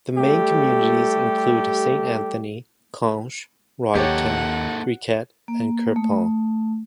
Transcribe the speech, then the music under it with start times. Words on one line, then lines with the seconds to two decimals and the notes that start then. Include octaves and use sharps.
The main communities include Saint Anthony, Conche, Roddickton, Griquet and Quirpon.
0.18 G3 A3 G4 A4
3.95 D#2 A#3 D#4 G4 A4 C#5 F#5
5.48 A#3
5.96 A3